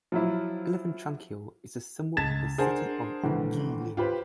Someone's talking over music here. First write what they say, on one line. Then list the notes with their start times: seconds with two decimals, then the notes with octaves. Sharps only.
Elephant Trunk Hill is the symbol of the city of Guilin.
0.12 F3 F#3 E4
2.17 C#2 A5 G#6 A6 B6 E7
2.58 D4 G#4 A#4 C5 F#5 A5
3.24 G#1 D3 E3
3.97 F4 G4 B4 C5